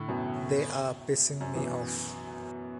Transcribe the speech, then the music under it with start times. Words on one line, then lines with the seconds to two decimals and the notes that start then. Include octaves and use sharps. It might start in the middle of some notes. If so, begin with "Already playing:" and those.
They are pissing me off.
Already playing: A2 D3
0.08 F#2 B2
1.41 F#2
1.55 B2 E3